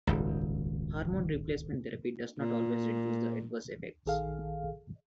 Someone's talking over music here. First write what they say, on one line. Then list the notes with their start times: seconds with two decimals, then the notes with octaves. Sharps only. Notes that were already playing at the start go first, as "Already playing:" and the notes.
Hormone replacement therapy does not always reduce the adverse effects.
0.07 D#1 G#1 C#2
2.39 A#2
4.06 A#1 D#3 G#4 A4 F5